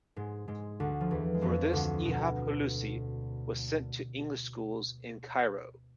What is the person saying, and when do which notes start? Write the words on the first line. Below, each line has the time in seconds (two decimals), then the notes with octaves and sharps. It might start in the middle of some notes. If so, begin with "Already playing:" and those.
For this Ihap Hulusi was sent to English schools in Cairo.
0.16 G#2 G#3
0.48 G#2 G#3
0.80 D2 D3
1.01 F3
1.11 E2 E3
1.34 G#3
1.42 F2 F3
1.73 D2 D3
2.05 B2